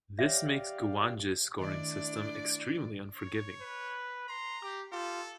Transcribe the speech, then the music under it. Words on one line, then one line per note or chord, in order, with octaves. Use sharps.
This makes Guwange's scoring system extremely unforgiving.
G4 C#5 D5 E5 F5
D#3 A3 D4 E4 D5
C#5
B4
A#5 C6
G4
F4 G4 A4